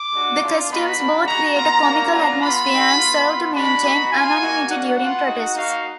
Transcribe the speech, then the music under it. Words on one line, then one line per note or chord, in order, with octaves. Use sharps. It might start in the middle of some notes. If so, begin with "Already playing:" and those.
The costumes both create a comical atmosphere and serve to maintain anonymity during protests.
Already playing: D6
G#3 D4 F#4
A#3 D4 F4
B3 D#4 F#4 B5
A#3 D4 F#4
G#3 D#4 F#4 A#5
B3 F4 A#5
A#3 D4 F#4
B3 D4 F4 A#5
B3 F4 B5
G#3 D#4 F#4
B3 F4
B3 F4
G#3 D4 F#4 B5
B3 D#4 F#4
A#3 F4 G#5
A#3 D#4 F#4
A#3 D4 F#4 F#5
B3 F4 F#5
G#3 D#4 F#4
A#3 D#4 F#4 F5